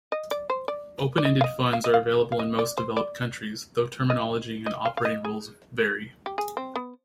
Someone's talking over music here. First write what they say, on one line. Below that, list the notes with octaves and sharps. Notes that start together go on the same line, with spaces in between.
Open-ended funds are available in most developed countries, though terminology and operating rules vary.
D#5
D5
C5
D5
D5
D#5
F5
D#5
F5
D#5
F5
F5
D#5
D5
C5
D5
D#5
D#5
F5
F5
D#5
G#4
G4
G#4
C4
B3